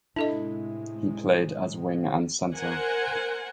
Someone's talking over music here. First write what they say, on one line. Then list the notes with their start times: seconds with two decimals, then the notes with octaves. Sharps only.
He played as wing and centre.
0.16 A2 C3 G#3 D4 E4 A4 D#5
2.55 A#4 C5 F#5 G#5